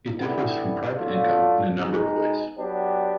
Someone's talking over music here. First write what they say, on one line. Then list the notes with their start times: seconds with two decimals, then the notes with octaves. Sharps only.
It differs from private income in a number of ways.
0.16 D3 G3 B3 E4
0.97 F#3 A3 D4 F4
1.76 B2 G#3 B3 D#4
2.57 F#3 B3 D4 G4